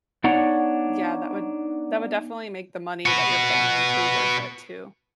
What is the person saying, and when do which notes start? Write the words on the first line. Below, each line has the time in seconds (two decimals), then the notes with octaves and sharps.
Yeah, that would that would definitely make the money that you're paying into worth it, too.
0.24 B3 D4 D#4 C#5 D5 F#5
3.06 F#4 B4